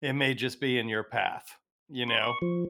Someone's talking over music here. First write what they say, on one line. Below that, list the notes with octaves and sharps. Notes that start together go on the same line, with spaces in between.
it may just be in your path, you know?
C6
C#6
F3